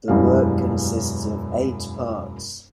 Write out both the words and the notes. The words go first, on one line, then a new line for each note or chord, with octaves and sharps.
The work consists of eight parts.
E1 F#2 E3 G3 F5